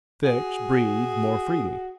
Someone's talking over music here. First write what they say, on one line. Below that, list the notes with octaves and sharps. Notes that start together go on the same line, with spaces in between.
Fix breathed more freely.
F#4 G#4